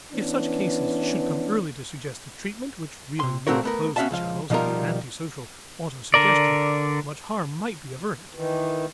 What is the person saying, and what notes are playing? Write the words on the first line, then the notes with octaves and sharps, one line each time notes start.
If such cases should come early to suggestive treatment which really would close the channels of the antisocial autosuggestion, much harm might be averted.
E3 B3 C#4 D4
C3 C6
A#2 A3 C4 F#4 A#4 C#5
A3 B3 A#4
B3 C#4 F#4 E5 F5 A5
C#2 F3 F5
B2 F3 G3 D#4 F4 A#4
D3 A#4 D5
D#3 E3